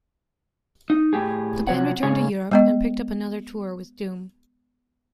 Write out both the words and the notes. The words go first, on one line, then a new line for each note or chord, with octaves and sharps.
The band returned to Europe and picked up another tour with Doom.
D#4
A2 G4 G#4
C3 F3 F#3 C#5 F#5
G#2 C#3 G#4 C#5
G#3 B3 D#5